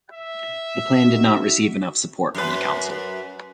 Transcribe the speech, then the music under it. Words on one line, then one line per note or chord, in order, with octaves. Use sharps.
The plan did not receive enough support from the council.
E5
D#4 F#4
F#2 B4